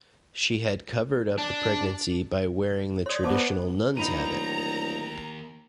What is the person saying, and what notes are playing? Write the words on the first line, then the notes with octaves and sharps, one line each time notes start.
She had covered up the pregnancy by wearing the traditional nun's habit.
D4
C#5 D5 C6 D#6
B3 C5 E5 A5 D6
D1 D#3 A#3 D#4 A#5 B5 D#7